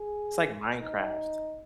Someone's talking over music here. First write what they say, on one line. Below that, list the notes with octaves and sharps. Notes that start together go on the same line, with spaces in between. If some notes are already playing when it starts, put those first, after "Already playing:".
it's like Minecraft.
Already playing: G#4
D#4